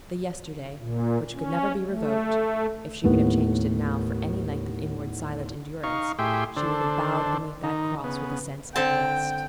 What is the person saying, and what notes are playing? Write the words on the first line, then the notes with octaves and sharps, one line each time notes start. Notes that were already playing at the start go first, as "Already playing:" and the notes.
The yesterday, which could never be revoked,--if she could have changed it now for any length of inward silent endurance, she would have bowed beneath that cross with a sense of rest.
A#2
C#4
A3
D#2 A2 B3
D#4 F5 C#6
A2 G4 G#4 E5 G5 C6
D3 D4 A4 C5
D#3 D#4
C#3 B3
D3 C4 G5 A5